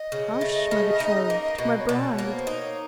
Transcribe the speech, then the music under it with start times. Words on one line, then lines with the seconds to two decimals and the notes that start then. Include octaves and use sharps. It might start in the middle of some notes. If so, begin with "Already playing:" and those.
'Hush, my betrothed! my bride!
Already playing: D#5
0.12 C#3
0.41 A3
0.71 C#3
1.00 D#4
1.30 A#3
1.58 B2
1.80 C#5
1.89 B2 D5
2.10 C#5
2.18 A#3
2.33 C5
2.47 D#4
2.55 C#5